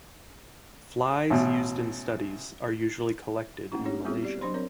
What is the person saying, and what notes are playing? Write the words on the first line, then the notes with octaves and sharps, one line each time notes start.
Flies used in studies are usually collected in Malaysia.
A1 B2
A3 A#3 C#4 E4
C#4 D4 G4 C#5
G3 B3 C4 E4 F#4 G#4
G4 D5
F#3 D4 C5 B5 C6
C4 A#4 C#5